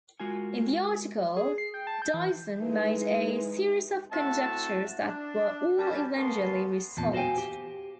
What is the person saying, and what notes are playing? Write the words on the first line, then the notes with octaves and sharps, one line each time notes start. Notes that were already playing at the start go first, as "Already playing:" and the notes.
In the article, Dyson made a series of conjectures that were all eventually resolved.
G#3 F4 F#4 A#4 G#5
G#4
C7
G5
A5
G6
E3
E3 G#3 D#4
A2 C4 F#4 E5 A5
D4
F#2 G3 A5
C#3 A3 B3 A#4 A5 C6
E2 A#2 A5
F#4 C5 F5 G5 G#5
G4